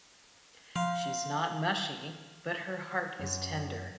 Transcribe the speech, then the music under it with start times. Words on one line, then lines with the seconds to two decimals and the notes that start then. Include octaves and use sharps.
She's not mushy, but her heart is tender.
0.76 F3 F5
3.19 F#2